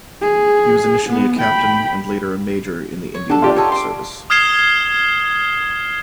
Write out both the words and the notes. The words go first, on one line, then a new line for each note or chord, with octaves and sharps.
He was initially a Captain, and later a Major, in the Indian Medical Service.
G#4
B3
G5 B5
C#5
D4 A4 F#5
F4 G4 D5
D#4 A4 C#5
C6 D6
D#6 F6 G#6 C7 E7 G7